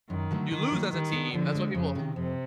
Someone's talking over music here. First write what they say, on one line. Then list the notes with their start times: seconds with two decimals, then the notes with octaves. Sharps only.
You lose as a team, that's why people m
0.10 F#2 D#3
0.31 D3 F#3 A3
0.51 D3 D#3
0.72 F#3 A#3
0.93 D#3 G3
1.13 B3 D4
1.34 D3 F3
1.54 G#3 C4
1.75 F2 C#3
1.95 C3 D#3
2.16 F2 C3